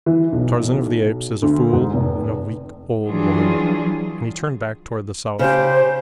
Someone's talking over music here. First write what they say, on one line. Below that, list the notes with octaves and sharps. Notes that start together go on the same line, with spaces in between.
"Tarzan of the Apes is a fool and a weak, old woman," and he turned back toward the south.
E3
B1
D2
G#2
F1
E3 F#3 G3 D4 F4 G#4
C#3 G4 C5